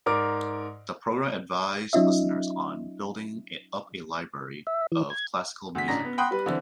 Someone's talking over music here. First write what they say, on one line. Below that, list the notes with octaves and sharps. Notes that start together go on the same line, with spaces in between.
The program advised listeners on building up a library of classical music.
G#2 A#4 D5 D6
F#3 C#4 D#4 F4 D#5 E5
E5
E3
G#6
D2 B6
A1 C#3 D4 A#5 A#6
B3
F#5 G5 B5 C6 D#6 F#6
G3 B4
D3 E3 C4